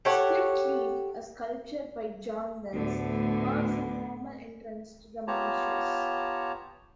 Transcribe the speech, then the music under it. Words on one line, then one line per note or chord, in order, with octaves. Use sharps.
"Split Leaf", a sculpture by Jon Mills, marks the formal entrance to the marshes.
G4 A4 C#5 F#5
D2 A2 D3 B3
B3 F4 G4 C#5 A5 A#5